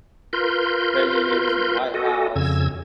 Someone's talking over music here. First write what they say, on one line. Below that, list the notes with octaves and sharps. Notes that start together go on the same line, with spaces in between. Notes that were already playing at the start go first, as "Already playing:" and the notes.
credit unions and the White House, and
F4 A#4 B4 C6 G6
F#4 A4 D#5
F2 C#3 E6 G#6